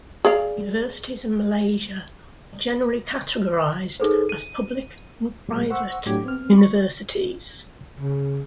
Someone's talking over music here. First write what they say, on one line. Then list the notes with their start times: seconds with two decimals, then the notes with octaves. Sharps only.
Universities in Malaysia are generally categorised as public and private universities.
0.25 G#4 D5 F5
4.00 D#4 G#4 A4 B4 C5
4.29 D#7
5.49 A#2 F#3 G#3 A3
5.70 C5 F#5 C#6 E6
6.06 A2 F#3 D4 G4 D6 G#6
6.24 B3 C4 F6
6.57 C#6
8.00 C#3